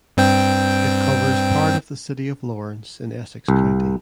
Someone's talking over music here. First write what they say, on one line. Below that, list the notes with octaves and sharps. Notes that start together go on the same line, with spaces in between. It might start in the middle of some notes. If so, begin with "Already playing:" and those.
It covers part of the city of Lawrence in Essex County.
G2 C4 G5
C2